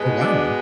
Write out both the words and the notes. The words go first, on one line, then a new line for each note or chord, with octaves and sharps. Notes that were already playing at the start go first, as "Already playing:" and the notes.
Oh, wow.
Already playing: B2 G#3
D4